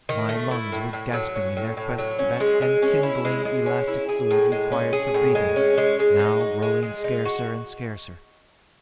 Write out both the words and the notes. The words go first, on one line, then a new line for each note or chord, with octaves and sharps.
My lungs were gasping in their quest for that enkindling elastic fluid required for breathing, now growing scarcer and scarcer.
D#3
A3
E4
A2
A2
F#3
C#4
A2
A2
F#3
C#4
G#3
G#3
C#4
E4
G#3
G#3
C#4
E4
G#4
A2
G#3
C#4
G#4
A2
G#3
C#4
G#3
G#3
D#4
F#4
G#3
G#3
D#4
F#4